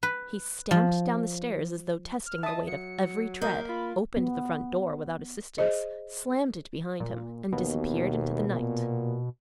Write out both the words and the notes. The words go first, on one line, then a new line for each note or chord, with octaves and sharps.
He stamped down the stairs as though testing the weight of every tread, opened the front door without assistance, slammed it behind him and disappeared into the night.
B4
F3
F6
D#5 E5 A5 D#6
F#3 C#7
A#3 A#4 D#5 G6
F4 B5
B3
G#4 C5 D#5
A#2
D#2 B2
A#2